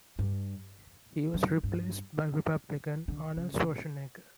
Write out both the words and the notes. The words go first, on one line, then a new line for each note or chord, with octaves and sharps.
He was replaced by Republican Arnold Schwarzenegger.
G2
F#2
G2
D3
C#3